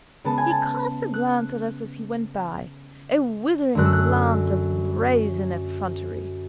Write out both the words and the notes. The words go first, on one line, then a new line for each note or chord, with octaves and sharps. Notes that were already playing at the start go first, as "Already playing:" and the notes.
He cast a glance at us as he went by, a withering glance of brazen effrontery.
C#3 G#3 B3 A5
G#5
A5
F#6
F#2 D3 A3 F#6
E6
F#6